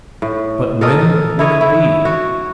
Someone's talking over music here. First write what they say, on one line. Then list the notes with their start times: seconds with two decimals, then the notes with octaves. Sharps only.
But when will it be?
0.22 A2
0.81 A4 A#4 D#5
1.39 E4 C#5 D#5
1.61 E4
2.05 F#4